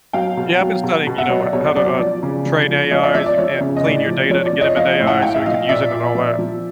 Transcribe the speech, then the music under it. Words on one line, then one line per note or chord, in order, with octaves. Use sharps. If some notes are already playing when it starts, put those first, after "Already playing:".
Yeah, I've been studying, you know, h how to, uh, train AIs, and and clean your data to get 'em into AI so you can use it and all that.
F#3 F5 G5
B2
F#3
B2
B2
E5 F#5
F#3 C#5 D#5
D5
B2 C#5
D5
F#3 D5
D5
F3
C#3
F3
F3
F3 C#5 D#5
D5 E5
F3 D5 E5
D5
F3 C#5
C#3
D#5
A2 D5
F3
F3 C#5
D5
F3
C#5 D#5
F3 D#5 F5
A2
E5 F#5
A2 F5 G5
E5
F3 D#5 F5
A#2 D5 E5
A#2
F3
F3